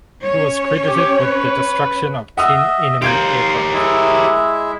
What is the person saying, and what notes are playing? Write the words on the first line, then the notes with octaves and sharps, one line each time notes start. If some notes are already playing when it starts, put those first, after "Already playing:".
He was credited with the destruction of ten enemy aircraft.
C#4 C#5
G4
B4
D#5 E5 F#5 D#6 E6
G4 A#4 F5 C6 G6 G#6 D7
G#3 E4 E5